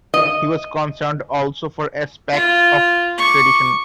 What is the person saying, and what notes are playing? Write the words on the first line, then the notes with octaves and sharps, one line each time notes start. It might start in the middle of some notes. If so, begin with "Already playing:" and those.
He was concerned also for aspects of tradition.
D#5
F4
C#6 D6